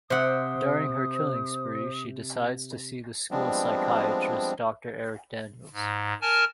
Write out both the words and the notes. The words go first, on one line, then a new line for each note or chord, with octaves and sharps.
During her killing spree, she decides to see the school psychiatrist, Doctor Eric Daniels.
C3 C5 F#5 D#6
F3 G3 G#3 B3 C4 D4
G#2
A#4 G#5 A5 F6